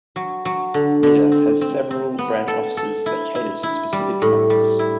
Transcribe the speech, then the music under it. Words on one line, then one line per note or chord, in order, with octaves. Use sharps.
Midas has several branch offices that cater to specific markets.
F#3
F#3
D3
D3
C4
C4
C4
B3
A4
A4
E4
E4
E4
G3
A2
G3
E4